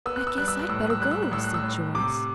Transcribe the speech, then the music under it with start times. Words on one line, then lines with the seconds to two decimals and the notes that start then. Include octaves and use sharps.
"I guess I'd better go," said Joyce.
0.06 B3 E6
0.16 F#6
0.27 E6
0.38 G3 F#6
0.48 E6
0.59 F#6
0.69 A2 E6
0.80 F#6
0.90 E6
1.00 G3 F#6
1.11 E6
1.22 F#6
1.31 A2 E6
1.44 F#6
1.54 E6
1.63 A2
1.95 C3 D6